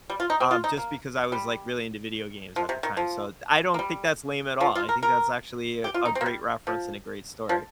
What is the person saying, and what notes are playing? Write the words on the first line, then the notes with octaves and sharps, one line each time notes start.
um, just because I was, like, really into video games at the time. So d I don't think that's lame at all, I think that's actually a great reference and a great story.
G3
F4
D#4
C4
F4
D#4
A#3
G3
F3
C3
D#3
F3
A#3
G3
F3
F4
A#4
A#4
G4
F4
D#4
C4
A#3
G3
F3
F3